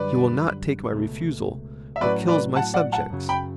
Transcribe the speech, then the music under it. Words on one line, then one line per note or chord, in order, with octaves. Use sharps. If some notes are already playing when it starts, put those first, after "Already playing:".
He will not take my refusal, but kills my subjects.
Already playing: F#2 D3 G3 B4 D5
C#2 B2 A3
E5
A2 F#3 C#4 F#4 B4 D5
B4 D5
F#5 A5
D5 F#5
F#5 A5
F#2 C#3 F#3
G5 B5